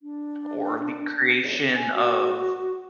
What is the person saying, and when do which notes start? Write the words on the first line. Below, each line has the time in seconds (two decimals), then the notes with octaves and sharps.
or the creation of,
0.03 D4
1.75 G#5
1.95 F#4